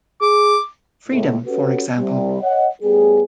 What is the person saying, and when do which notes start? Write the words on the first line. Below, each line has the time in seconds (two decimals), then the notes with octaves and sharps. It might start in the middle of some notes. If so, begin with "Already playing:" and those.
Freedom, for example.
0.21 G#4 D6
1.09 C#2 A2
1.46 C#4 F#4 G4 A4 B4
1.96 C2 C3 G3
2.41 C#5 D#5 F#5
2.82 A2 G3 B3 G#4